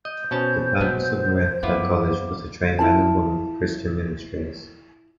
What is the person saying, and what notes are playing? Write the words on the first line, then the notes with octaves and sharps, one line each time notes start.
The purpose of Maranatha College was to train men and women for Christian ministries.
D#5 G6
B2 C#4 C5 A5
B2 F#3 G#3 B3
F#2 B3 E4 F4 D6
E4 F4 A5